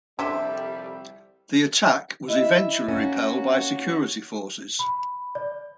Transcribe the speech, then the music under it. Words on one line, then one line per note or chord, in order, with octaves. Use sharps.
The attack was eventually repelled by security forces.
C2 F2 D3 G3 D4 G4 C5 E5
E4 D#5 E5
A#3 C#4 F#4
B5
D5